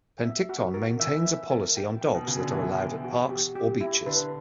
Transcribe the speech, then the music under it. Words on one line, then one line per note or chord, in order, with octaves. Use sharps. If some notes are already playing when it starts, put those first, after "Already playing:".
Penticton maintains a policy on dogs that are allowed at parks or beaches.
E5
F#4
A#4
E3 E5
E5
A#4
G5
G5
B2
C#3 F#4
D3
E3 F#4
G5
F#4
G4
G4
E4
D3 B4